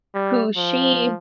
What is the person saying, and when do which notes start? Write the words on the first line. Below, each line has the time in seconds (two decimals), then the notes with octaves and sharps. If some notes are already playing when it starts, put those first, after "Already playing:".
who she
0.15 G3
0.57 F3